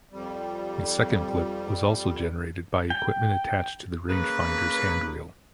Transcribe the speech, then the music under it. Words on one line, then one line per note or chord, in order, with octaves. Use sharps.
A second blip was also generated by equipment attached to the rangefinder's handwheel.
F2 G3
G5
C#3 A#3 B4